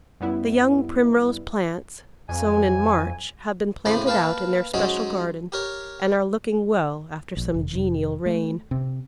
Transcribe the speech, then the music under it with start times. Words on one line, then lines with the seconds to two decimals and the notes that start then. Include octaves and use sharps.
The young Primrose plants, sown in March, have been planted out in their special garden, and are looking well after some genial rain.
0.20 F#2 G3 B3 E4
2.29 F2 G#5
3.85 A2 C#3 C5 G5 B5 D6
4.06 A#3 B4 F5 G5 A5
4.74 F#3 G#3 C4 C#4 D#4 F#4
5.52 G4 A#4 C#5
7.37 A#1
7.54 F1
7.73 F1
8.26 A3
8.71 C3